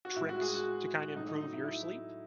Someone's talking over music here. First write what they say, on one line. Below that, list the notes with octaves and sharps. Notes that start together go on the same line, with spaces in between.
tricks to kinda improve your sleep?
F#4
A2 E4
G#3
F#4
G#4
F#4
A2 F#3 A3 D#4
D#4
D#4
E4
E4